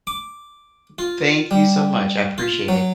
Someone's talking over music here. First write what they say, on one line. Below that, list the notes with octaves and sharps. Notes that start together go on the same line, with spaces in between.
Thank you so much, I appreciate it.
D6
F4
G3
F4
F#3